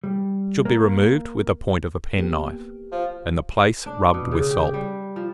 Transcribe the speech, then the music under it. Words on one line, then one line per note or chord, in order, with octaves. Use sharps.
It should be removed with the point of a penknife, and the place rubbed with salt.
G3
A#3
A#3 B3 G4
F3
D4
B2
C#3
G4
G3
F3